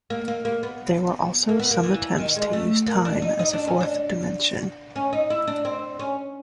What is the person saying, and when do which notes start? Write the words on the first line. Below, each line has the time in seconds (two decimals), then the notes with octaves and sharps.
There were also some attempts to use time as a fourth dimension.
0.10 A#3
0.28 A#3
0.45 A#3
0.63 B3
1.49 A#3
1.59 B3
1.71 A#3
1.83 E3
2.18 D#3
2.36 G#3
2.53 A3
2.87 A#3
3.05 D4
3.22 D#4
3.39 D#4
3.53 D4
3.67 C#4
3.81 D4
4.96 C#4
5.13 D#4
5.30 E4
5.47 D4
5.65 C4
5.99 C#4